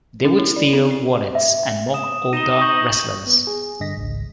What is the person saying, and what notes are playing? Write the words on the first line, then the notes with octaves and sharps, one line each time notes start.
They would steal wallets and mock older wrestlers.
C#4
E4
D5
C4
C7
E5
D#6 E7
D#4 D#7 E7 G7
C#6 G6 F#7
B3
G#4
G2 D3 D#5 A#6 B6
G#1 C#2